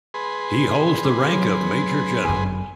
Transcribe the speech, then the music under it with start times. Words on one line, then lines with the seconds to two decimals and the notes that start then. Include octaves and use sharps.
He holds the rank of Major General.
0.14 G#4 B4 C6
1.05 C#4 D6
1.33 F#3
2.25 G1 F#2 G#5